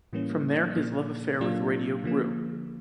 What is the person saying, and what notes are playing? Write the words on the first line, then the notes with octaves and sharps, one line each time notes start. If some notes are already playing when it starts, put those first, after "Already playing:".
From there his love affair with radio grew.
A2 E3 G3 A#3 C#4
A#2 F3 A#3
A#2 F#3 A#3 D4 F4
D3 F3 A#3